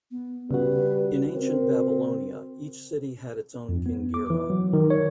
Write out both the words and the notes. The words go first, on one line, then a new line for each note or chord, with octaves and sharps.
In ancient Babylonia, each city had its own Gingira.
B3
C#3 G3 F#4 B4
C4 A#4
F2
B3
D6
E3
F#3
D#3
C#5